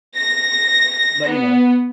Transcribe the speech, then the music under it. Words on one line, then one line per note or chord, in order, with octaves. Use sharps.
but, you know
A#6
B3